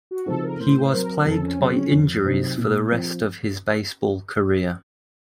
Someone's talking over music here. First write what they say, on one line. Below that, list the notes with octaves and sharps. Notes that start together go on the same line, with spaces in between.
He was plagued by injuries for the rest of his baseball career.
F#4
C#3 F3 C4 D#4 A4
A#4
A2 C5
F#3 C4 A#4
F2 A4
C#4
C#3 F#3 C4
C#4
F2
C3 F#3 C4 D#4
A#2
F3 C4